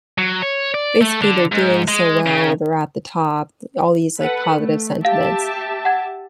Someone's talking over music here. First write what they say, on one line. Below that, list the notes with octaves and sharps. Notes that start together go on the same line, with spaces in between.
basically they're doing so well, they're at the top all these, like, positive sentiments,
F#3
C#5
D5
A3
D3
G#2
G#3
C#3
A4 B4 F#5
A3
G4 E5 F5 A5
F#5 G#6